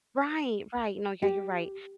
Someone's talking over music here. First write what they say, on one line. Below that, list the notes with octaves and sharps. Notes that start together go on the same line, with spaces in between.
Right, right, no, yeah, you're right,
G4